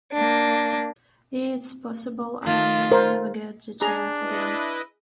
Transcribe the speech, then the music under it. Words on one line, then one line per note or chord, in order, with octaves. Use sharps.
It's possible I'll may never get the chance again.
A#3 D4
D#3 F4
A#4 C5
D4 G#4 A#5
E4 B4 D#5